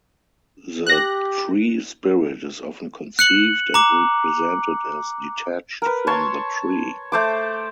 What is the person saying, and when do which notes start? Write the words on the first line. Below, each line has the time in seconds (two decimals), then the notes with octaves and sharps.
The tree-spirit is often conceived and represented as detached from the tree.
0.87 G4 F#6 A#6
3.19 F#6 C#7 F#7
3.74 A#5 D6
5.82 A#4 B4
6.07 C#5 A5 C6
7.12 A3 C5 D6